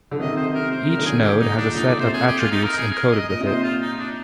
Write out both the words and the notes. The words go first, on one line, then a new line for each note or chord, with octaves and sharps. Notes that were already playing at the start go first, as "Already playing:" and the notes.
Each node has a set of attributes encoded with it.
D3
C3 D#3 D#5
C5
C3 A#4
C3 C5
D#3 A#4
A#2 D3
G#4
A#2 D3 G4
D#4
A#2 D3
D4
A#2 D3 D#4
D5
C3 C5
G#4
G4
F4
D#4
A#4
G#4
A#4
D#5
A#2 D#5
C3
A#2 C5
F4
D#4
D4